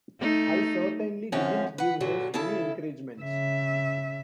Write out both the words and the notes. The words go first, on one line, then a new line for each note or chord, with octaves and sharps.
I certainly didn't give him any encouragement.
A3 D#4
F#2 D3 F3 C4 C#4
B4 F#5
G2 A#2 D3 F#3
C#3 E4 A4 E5 A5
C#3 E5